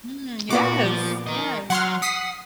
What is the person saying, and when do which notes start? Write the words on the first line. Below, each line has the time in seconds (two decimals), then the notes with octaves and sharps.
Mm, yes, yes.
0.50 A#2 B3 F#4 D6
0.84 F3
1.27 A#4 D#5
1.70 F#3 F#5 C6 F6
2.02 F#5 D#6 B6 C7